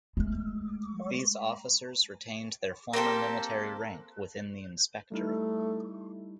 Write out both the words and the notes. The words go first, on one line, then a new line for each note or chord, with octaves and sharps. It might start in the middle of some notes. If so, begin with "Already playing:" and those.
These officers retained their former military rank within the Inspectorate.
G#3 A3
A#3 C4 G4 A4
G3 A3 D#4 E4